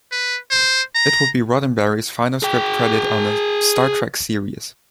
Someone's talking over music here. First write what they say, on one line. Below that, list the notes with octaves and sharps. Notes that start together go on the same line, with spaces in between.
It would be Roddenberry's final script credit on a "Star Trek" series.
B4
C5
A#5
G#4 G5